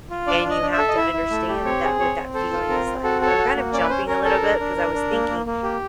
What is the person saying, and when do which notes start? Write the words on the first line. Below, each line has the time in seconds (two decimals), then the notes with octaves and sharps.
and you have to understand that what that feeling is like, I'm kind of jumping a little bit 'cause I was thinking
0.10 F4
0.27 D4 D5
0.44 D4
0.50 D#5
0.61 D4
0.73 E5
0.79 A4
0.88 D#5
0.96 E4 E5
1.14 E4
1.30 A3
1.48 G4
1.65 C4 C#5
1.83 G#4
2.00 C4 C#5
2.17 C4
2.34 A4 C5
2.52 F4
2.69 C4 A#4
2.86 C4
3.04 F#4 A4
3.21 A4
3.27 C#5
3.38 F#4
3.56 A#3
3.73 C#4 D5
3.82 B4
3.90 C#4 C5
4.07 C#4 A#4
4.24 A4 A#4
4.42 D4
4.59 D4
4.77 D4
4.94 D4
5.11 A#3
5.29 A#3
5.46 A#3
5.63 G4